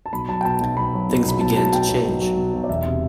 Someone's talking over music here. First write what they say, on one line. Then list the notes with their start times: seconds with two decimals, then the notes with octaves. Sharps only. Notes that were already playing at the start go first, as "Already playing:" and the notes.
Things began to change.
0.06 A5
0.12 B1 B5
0.29 F#3 A5
0.41 G5
0.45 B2 A5
0.61 B1
0.77 B1 B5
0.94 F#3
1.09 B2
1.26 B1 B5
1.41 B1 A5
1.57 F#3 A5
1.73 B2 G5
1.89 B1
2.05 B1
2.21 F#3
2.37 B2
2.53 B1
2.64 D5
2.69 E1 E5
2.86 C3